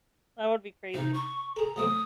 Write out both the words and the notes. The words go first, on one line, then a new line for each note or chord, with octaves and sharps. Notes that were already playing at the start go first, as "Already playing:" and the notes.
That would be crazy.
C3 D#4
C#6
G#4 A4 A#5
F#3 A3 C4 D#6